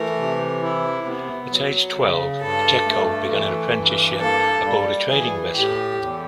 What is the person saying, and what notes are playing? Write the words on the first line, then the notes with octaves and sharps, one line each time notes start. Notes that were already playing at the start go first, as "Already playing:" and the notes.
At age twelve, Pacheco began an apprenticeship aboard a trading vessel.
Already playing: E3 A3 A#4
C3
E4
B3
F#3
C#3
G2 A4
A3
E3
G2
A#3 A4
G3
E3 G#4
A2 G4
E2